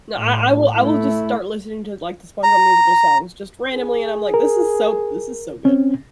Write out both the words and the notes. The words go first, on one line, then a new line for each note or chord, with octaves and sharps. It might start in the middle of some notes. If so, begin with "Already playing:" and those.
No, I I will I will just start listening to, like, the SpongeBob Musical songs, just randomly, and I'm like, "This is so this is so good.
A2
A3 E4
A#5
G#4
A#4
C4 C#4